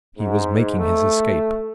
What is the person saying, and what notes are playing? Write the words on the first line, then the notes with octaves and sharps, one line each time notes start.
He was making his escape.
G#2
A3